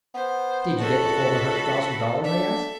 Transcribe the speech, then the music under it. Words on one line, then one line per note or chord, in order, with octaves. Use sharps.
"Did you get the full one hundred thousand dollars?" I asked.
B3 C5
C#2 F#4 A4 B5
D4 A4 E5